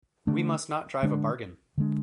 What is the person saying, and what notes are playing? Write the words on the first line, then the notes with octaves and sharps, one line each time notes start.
We must not drive a bargain.
D3 A3 D4
D3 G#3 D4
D3 G#3 D4